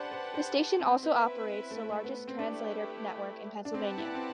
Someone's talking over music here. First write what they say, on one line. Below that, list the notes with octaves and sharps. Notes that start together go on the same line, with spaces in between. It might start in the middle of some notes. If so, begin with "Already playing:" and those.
The station also operates the largest translator network in Pennsylvania.
Already playing: D4 G4 B4 C5 D5 F#5 A5
C5
C5
C4
B3 C4 E4 B4 E5
A3
A3
B3
C4
A3 D4 E4 G4 B4
D4
C4 G4 B4 D5 F#5 A5
E4
C4